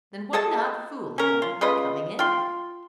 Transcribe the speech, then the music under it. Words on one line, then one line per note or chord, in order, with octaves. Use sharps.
"Then why not fool him by coming in?"
G#4 A4 D#5 A5
C#4 A#4
F4
C#3 F4 B4 D#5
F4 G5 C6